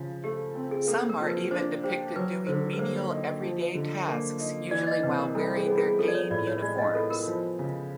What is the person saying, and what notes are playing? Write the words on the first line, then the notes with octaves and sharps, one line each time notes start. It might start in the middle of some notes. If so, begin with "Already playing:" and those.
Some are even depicted doing menial, everyday tasks, usually while wearing their game uniforms.
Already playing: C#3 F3
A3 G4
C4
G#4
A#3 A4
A#4
F3
B4
D4 C5
G4 C5
F#3 B4
D3 C5
B4
A#3 C5
D#4
F3
D3
A#3
D#4
E3 D5
D#5
C3 B4
A#4
G3 A4
G#4
B3
G#4
F3 A4
D5
C#5
A2 D5
C#5
G#3 D5
D#5
B3 A4
A#4
F3
C#3